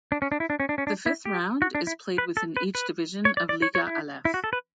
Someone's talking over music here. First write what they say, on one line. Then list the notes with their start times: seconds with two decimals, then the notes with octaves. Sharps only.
The fifth Round is played within each division of Liga Alef.
0.12 D4
0.22 C#4
0.32 D4
0.40 E4
0.50 D4
0.60 C#4
0.69 D4
0.78 C#4
0.87 D4
1.06 E4
1.25 G4
1.62 F#4
1.75 D4
1.87 E4
2.18 B4
2.37 A4
2.57 B4
2.75 B4
3.25 C#5
3.37 D5
3.49 D5
3.62 C#5
3.75 C#5
3.87 E4
4.25 E4
4.34 F#4
4.44 A4
4.53 B4